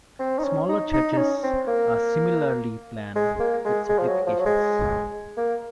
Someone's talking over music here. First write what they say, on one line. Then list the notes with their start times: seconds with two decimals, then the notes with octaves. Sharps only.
Smaller churches are similarly planned, with simplifications.
0.20 C4
0.38 D#4
0.44 C#4
0.69 D#4
0.94 D#4
1.13 D#4
1.18 C#4
1.43 C4
1.67 A#3
3.16 G#3
3.40 A#3
3.65 G#3
3.89 G#3
3.99 F3
4.08 F#3
4.27 F3
4.40 F#3
4.46 G#3
5.37 A#3